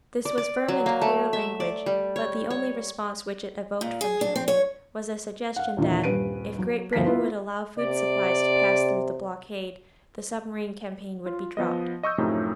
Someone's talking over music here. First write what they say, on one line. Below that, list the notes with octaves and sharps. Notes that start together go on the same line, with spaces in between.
This was firm and clear language, but the only response which it evoked from Germany was a suggestion that, if Great Britain would allow food supplies to pass through the blockade, the submarine campaign would be dropped.
D5
D5
F#3
A#3
A3
E5
D5
G3
C#5
C#5
A#2
G#4
D4
C4
C#5
F5 F#5
D#2 A#2 D3 E3
D#1 G2 B4 D7 D#7
F#3
D2 F3 F5 B6
B3 E4 F4 B4
C3 D5
F4
F3 B3 D#5
D#5 C#6 E6 G6
F#2 A2 C3 F3 A3 D#4